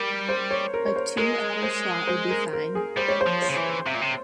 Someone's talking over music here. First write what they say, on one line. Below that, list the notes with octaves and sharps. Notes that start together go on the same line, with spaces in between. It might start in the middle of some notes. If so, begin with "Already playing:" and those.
A two hour slot would be fine, thanks.
Already playing: G3 A#4
C5
C#5
A#4
C#5
C5
G#3 A#4
C5
C5
A#4
A#4
G#4
G3 C5
C#5
C5
F3
C#5
C#3
E3
C3 E5
A#2
C3